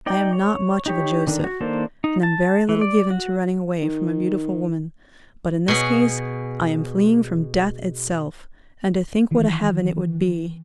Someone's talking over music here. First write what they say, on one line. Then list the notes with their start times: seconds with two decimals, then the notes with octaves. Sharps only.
I am not much of a Joseph, and am very little given to running away from a beautiful woman, but in this case I am fleeing from death itself. And to think what a heaven it would be.
0.06 D#4 D5 G5
0.33 C#5
0.86 D#4 G4 C#5
1.27 D3 D#3 D4
1.44 F#4
1.61 D#3 A#3 D4 A4 C5
2.04 D#4
2.23 A5
2.69 E3
2.81 D5
3.11 F#4
3.83 D#3
5.68 B2 G#4
9.31 D#3 E3